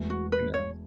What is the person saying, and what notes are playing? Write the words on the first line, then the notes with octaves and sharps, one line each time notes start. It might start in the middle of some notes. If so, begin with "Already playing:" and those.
you know?
Already playing: E1 E2 E3 A3
F#4
B4
C#5